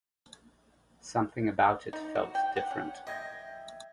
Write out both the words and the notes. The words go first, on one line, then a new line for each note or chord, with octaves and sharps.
Something about it felt different.
D#4
F#4
G5
F#5
C#4
D#5 E5 G5 G6 G#6 A#6